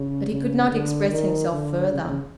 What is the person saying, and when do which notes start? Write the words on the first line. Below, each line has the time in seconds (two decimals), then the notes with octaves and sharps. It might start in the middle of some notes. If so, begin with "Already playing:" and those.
But he could not express himself further.
Already playing: C#3
0.30 C#3
0.70 D3
1.10 D#3
1.51 D3
1.91 C#3
2.05 C#3